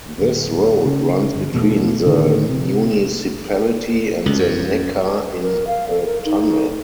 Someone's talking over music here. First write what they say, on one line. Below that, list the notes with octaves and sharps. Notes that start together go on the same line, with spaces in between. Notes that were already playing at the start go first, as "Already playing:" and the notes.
This road runs between the municipality and the Neckar in a tunnel.
D1
C#3 C#4
G1
E2 B2 A3
A2 D3 D#3
C3
C#2
F#2
A#4
F5
A4
A#4
D#4